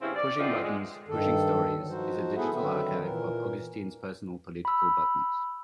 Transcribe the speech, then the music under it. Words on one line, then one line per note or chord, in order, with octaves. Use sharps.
"Pushing buttons, pushing stories" is a digital archive of Augustine's personal political buttons.
G2 C#3 C4 C#4 E4
D5
D3 E3 F3 C4 D#4 F4
G#3
G2 D#3 A4
D3 F#3
F3 D#4 F#4 C5
B3 E4 G#4 A4 E5 F#5
D3 D#3 F#3 C4 B4 E5
A#2 E3 A#4
B5 E6